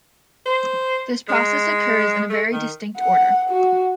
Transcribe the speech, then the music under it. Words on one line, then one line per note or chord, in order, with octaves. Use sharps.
This process occurs in a very distinct order.
C5
G#3
A3
D#3
F#5
F#4